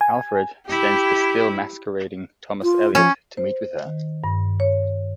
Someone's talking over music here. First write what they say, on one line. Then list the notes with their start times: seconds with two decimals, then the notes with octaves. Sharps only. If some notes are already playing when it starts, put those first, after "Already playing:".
Alfred sends the still-masquerading Thomas Elliot to meet with her.
0.01 G#5
0.69 E4 G4
2.63 F4
2.95 F3 C#4
3.37 C5
3.85 D#3
4.24 G2
4.60 C#5